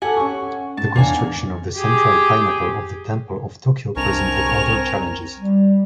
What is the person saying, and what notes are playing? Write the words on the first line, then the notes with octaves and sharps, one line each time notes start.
The construction of the central pinnacle of the temple of Tokio presented other challenges.
G4 A4 F#5 G#5
C#4 C#6
G#2 A5
E2 A#3 D4 C#5 G#5
G4 G#4
C2 C4 D4 A#4 G#5 C#6 F7
G3